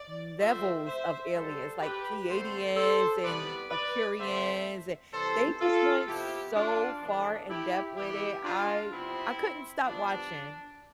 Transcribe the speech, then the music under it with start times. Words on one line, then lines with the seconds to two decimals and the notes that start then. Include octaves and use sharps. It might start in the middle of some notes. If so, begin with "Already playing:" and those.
levels of aliens, like, Pleiadians, and Aqirians and they just went so far in depth with it, I I couldn't stop watching.
Already playing: D5
0.39 D3 F3 A3 C4 C5 E5
0.87 C5 E5
1.34 G2 D3 G3 A4 C5
1.81 G4 B4
2.28 D3 A3 C4 A4 C5
2.76 A4 C5
3.23 C3 E3 G3 B3 B4 D5
3.71 B4 D5
4.18 D3 A3 C4 C5 E5
5.13 C3 E3 G3 A4 C5
5.60 F4 A4
6.07 C3 F3 B3 E4 G4
6.55 D4 F4
7.02 A2 E3 B3 D4
7.50 E4 G4
7.96 G2 E3 G3 B3 E4 G4
8.44 D4 F4
8.91 C3 F3 B3 C4 E4
9.86 G2 F3 B3 D4